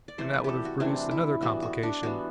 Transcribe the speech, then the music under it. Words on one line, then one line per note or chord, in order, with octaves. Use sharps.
And that would have produced another complication.
D5
C3 E3 A3 C4 C5
B4
G4 A4
F#4
C3 E3 A3 C4 D4
E4
E3 G3 B3 F#4
F#4
D4
E3 G3 B3 F#4